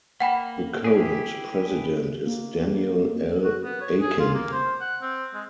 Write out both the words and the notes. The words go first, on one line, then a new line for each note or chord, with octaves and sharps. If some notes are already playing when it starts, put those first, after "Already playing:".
The current president is Daniel L. Akin.
A#3 F#5 G5 B5
E4 G4 G#4
A#3
F#4
B3
C#5
G#4
F4
A#3
C5
F#5
C4
G#3